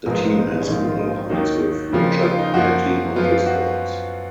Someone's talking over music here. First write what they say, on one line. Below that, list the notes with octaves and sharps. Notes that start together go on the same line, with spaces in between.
The team has an alliance with Richard Petty Motorsports.
A#1 G#2 F3 G#3 B3 A#4
D#4
C#4
A#1 G#2 D#3 D#4
F4
D#4
D#2 D#3 F#3 A#3 D#4
F2 C#3 F3 A#3
F4
D#4
F#2 F3 A#3 F#4
F#2 F3 B3 F4
F4
F#4